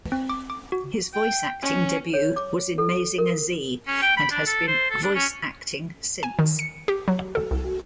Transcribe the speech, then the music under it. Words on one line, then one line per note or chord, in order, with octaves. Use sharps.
His voice acting debut was in "Mazinger Z", and has been voice acting since.
C4
D6
D6
F#4
G5
C#4
C#5
D6
A4
A#4
C#4
G5
B5
D4
A4
C5
A4
D4
C#4
G#5
D#3
C#7
G4
F#3
A4
C2